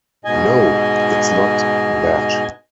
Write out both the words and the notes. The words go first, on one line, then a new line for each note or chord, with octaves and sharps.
No - it's not that.
G#2 B2 D#5 G#5